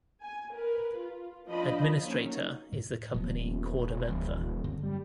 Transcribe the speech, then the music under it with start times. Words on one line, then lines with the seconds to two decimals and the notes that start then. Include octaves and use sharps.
Administrator is the company KordaMentha.
0.21 G#5
0.52 A#4 B4
0.98 F4
1.48 F3 D4 C5 D#5 B5
2.04 F#3 A#3 C#4 D#4
2.73 A2
3.14 D#1 F3 G#3 B3
4.09 D2 E3 G3
4.64 G2 D3 C4
4.83 G3